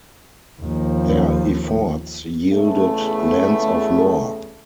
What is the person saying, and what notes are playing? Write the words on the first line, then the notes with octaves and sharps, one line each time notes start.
Their efforts yielded "Lands of Lore".
D#2 F3
E2 C#3 A3